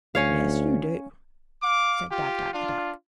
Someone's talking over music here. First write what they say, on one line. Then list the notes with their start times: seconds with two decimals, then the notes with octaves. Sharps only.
"Yes, you do," said Dab-Dab, the duck.
0.15 D2 C#4 C#5 F5
1.62 F5 D6
2.10 F4 G4
2.53 D4 F4